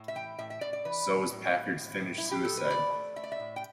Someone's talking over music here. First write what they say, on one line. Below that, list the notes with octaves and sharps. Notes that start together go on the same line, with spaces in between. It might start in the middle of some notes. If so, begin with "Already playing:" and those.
So was Packard's finish suicide.
Already playing: A2
E5
E3 G5
A2 E5
E5
A2 D5
D5
E3 B4
A2
A2
A2
A2
A2
E4
A2
G4
A2 A4
B4
A2 D5
A3
A3 E5
D5
E5
A2
G5